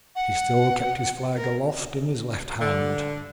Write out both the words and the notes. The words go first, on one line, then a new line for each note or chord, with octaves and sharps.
He still kept his flag aloft in his left hand.
F#5
A#4
D3